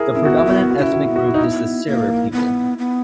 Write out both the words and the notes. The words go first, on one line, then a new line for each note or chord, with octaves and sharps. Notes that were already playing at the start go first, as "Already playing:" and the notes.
The predominant ethnic group is the Serer people.
Already playing: E4 G#4 A#4
B3 C#4 E4
F#4
E4
B3 F#4
E4
F#4
D#4
C#4 E4
F#4
B3 E4
F#4
E4
D#4
B3 E4
A#3
B3
B3